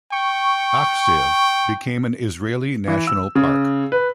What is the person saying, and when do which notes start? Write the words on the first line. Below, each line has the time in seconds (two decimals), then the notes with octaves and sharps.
Achziv became an Israeli national park.
0.12 G5 C#6
2.88 E3
3.07 E6
3.35 C#3
3.92 B4